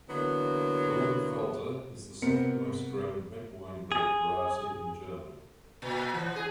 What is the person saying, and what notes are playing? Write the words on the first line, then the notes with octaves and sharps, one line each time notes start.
Dornfelder is the second most grown red wine grape variety in Germany.
D3 E3 F#3 A#3 B3
C3 B3 C4 A#4 C#7
G#4
A#2
E3
G#4